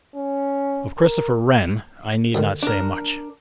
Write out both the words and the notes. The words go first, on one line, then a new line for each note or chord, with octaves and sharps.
Of Christopher Wren I need not say much.
C#4
A#4
D2 D3 D#3
D4 A#4